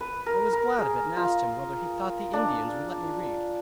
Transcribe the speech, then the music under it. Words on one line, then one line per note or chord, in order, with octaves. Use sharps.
I was glad of it, and asked him, whether he thought the Indians would let me read?
B4
A#4
A#4
G#4
F4
D4